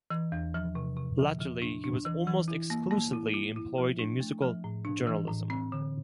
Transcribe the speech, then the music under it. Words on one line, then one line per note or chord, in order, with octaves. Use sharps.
Latterly he was almost exclusively employed in musical journalism.
E3
E2
F3
C3
C3
F3
F3
D4
D4
E3
E3
E4
A#3
A#3
E4
E4
E4
F3
D4
A3
F3
A2
D4
E3
A2
C4
D3